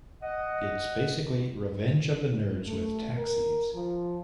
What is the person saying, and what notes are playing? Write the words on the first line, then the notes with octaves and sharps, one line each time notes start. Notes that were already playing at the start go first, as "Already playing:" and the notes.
It's basically "Revenge of the Nerds" with taxis.
D#5 F#5
A3
A#4
F3